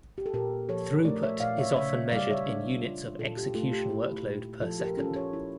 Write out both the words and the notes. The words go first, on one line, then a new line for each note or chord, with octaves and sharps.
Throughput is often measured in units of execution workload per second.
G4
A4
A#2 G4 A#4
F3 A4 C#5
A3 A#4 D5
C#5 E5
A#2 D5 F5
C#5 E5
C#3 C#5 E5
G3 D5 F5
C#5 E5
D4
F4
A#2 F4 A4
G4
A3 F4 A4
G4
E4
A#2
F3 F4 A4
G4 A#4
C#4 F4 A4
A4 C#5
E4